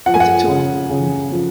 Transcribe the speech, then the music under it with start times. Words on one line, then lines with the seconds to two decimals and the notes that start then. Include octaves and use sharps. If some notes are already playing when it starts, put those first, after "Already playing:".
It's a tool, mm
0.06 F3 F#5
0.14 G#5
0.20 F#5
0.48 C#3
0.90 C#3
1.32 F3